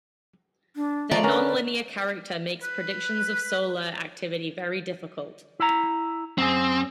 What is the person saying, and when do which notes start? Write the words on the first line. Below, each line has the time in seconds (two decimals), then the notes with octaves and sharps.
Their non-linear character makes predictions of solar activity very difficult.
0.76 D4
1.11 F3 A3 D5 A#5
1.23 D3 C#4 A#4 B4
2.63 B4
5.60 E4 A#5
6.38 F#2 C4 G#4